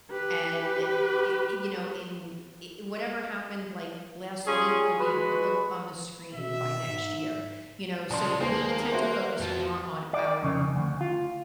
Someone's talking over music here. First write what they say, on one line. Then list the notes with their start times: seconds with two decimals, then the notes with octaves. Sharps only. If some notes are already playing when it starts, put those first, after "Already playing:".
and it it you know, in it whatever happened, like, last week will be a blip on the screen by next year. You know, so we tend to focus more on our
0.11 G4 B4
4.46 G3 C#4 F4 G#4
4.99 G#3 F#4 B4
6.34 B2 E5
6.86 G#2
8.11 C#3 G#3 D5 A5 C6
8.40 D#2 A#3 G#4 B4 C5
8.92 F#4 C5 E5
9.11 B4
9.40 F2 F3 F#4
10.13 D5
10.42 F2 C#3
10.76 D2
11.01 F4